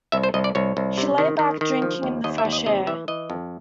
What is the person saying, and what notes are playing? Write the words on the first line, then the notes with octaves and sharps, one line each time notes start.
She lay back, drinking in the fresh air.
C2 E5
C5
C2 D#5
D5
C2 C#5
C2
C3
D#3
D#3
D#3
F3
D#2
D#2 D#5
E5
D#2
D#5
C3 D#5
E3 E5
E3 D#5
F2